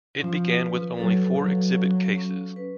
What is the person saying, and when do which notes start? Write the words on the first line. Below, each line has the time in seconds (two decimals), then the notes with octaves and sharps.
It began with only four exhibit cases.
0.20 F3 C#4
0.59 B4
0.99 F#3 A4
1.38 F#3 F5
1.78 C#4
2.18 C#4
2.56 B4